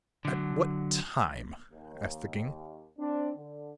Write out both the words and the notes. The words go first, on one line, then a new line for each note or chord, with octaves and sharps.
"At what time?" asked the king.
D3 F#3
D#2
C4 D4
D3